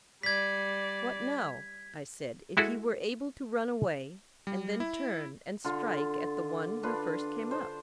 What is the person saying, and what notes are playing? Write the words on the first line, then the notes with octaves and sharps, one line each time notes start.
What, now, I said, if he were able to run away and then turn and strike at the one who first came up?
G3 D5 G#6 B6
G#3 E4 F#4 G#4 A4
G3
E4
D3 F4
D4 F4 B4
C5